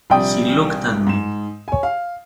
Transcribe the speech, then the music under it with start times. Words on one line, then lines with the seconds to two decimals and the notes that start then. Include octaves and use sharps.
He looked at me.
0.10 A#1 C3 G3 D5 G5 D#6
1.07 G#2 E7
1.68 C#5 G#5
1.83 F5